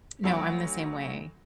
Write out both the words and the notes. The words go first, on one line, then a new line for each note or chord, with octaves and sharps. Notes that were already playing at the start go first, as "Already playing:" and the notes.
No, I'm the same way.
D2 F#3 B5 D7